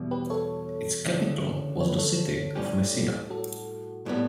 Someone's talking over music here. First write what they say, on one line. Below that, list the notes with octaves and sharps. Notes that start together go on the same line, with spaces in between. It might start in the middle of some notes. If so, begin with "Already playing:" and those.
Its capital was the city of Messina.
Already playing: E2 B2 G3
G4 B4
A4 C#5
D2 C#3 E3
C#5
B4
A4 C#5
A2 G3 C#4 G4
F#4 A4
A2 G3 B3